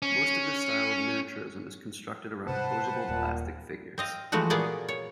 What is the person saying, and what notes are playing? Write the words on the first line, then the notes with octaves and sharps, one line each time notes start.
Most of this style of miniaturism is constructed around posable plastic figures.
C#4
G#2 C3 G3 B4 C5 F#5 A5
D#1 D#2 A#2 G3
C4 D#5 F5
E3 F3 G#3 A3 F#4
A#2 A#3 B3 G#4 D5
C#5